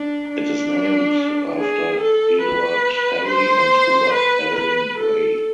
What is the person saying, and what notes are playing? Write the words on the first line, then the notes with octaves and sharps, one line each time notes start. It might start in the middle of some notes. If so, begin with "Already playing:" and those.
It is named after Eduard Helly and Hubert Evelyn Bray.
Already playing: D4
D4
G#4
A4
B4
C5
B4
B4
A4